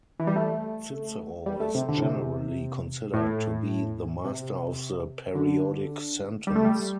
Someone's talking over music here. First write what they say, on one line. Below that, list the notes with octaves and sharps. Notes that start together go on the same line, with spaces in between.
Cicero is generally considered to be the master of the periodic sentence.
E3
G3
A3
G3
A3
C3
D3
A2
C3
A2
C3
D3
G3
A3
G3